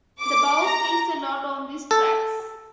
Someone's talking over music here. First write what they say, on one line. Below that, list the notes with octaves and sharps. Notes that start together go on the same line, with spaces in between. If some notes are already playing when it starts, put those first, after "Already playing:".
The bowl spins a lot on these tracks.
D6
A#5
A4